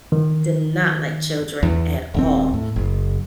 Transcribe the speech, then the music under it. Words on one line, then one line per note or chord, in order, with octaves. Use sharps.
did not like children at all.
D#3
E2
D#1 D#2 C4
A2
F#1